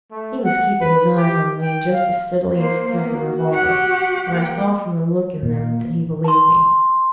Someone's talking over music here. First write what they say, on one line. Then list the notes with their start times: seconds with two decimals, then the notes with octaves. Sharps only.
He was keeping his eyes on me just as steadily as he kept the revolver, and I saw from the look in them that he believed me.
0.11 A3
0.44 F#5
0.81 B4
1.16 G4
1.61 G5
1.92 F5
2.56 A#3 C5
2.91 A#3 B3
3.20 F#4
3.54 G4 F#5
4.32 A#3 G5
5.42 A#2 A#3
6.24 A5 C6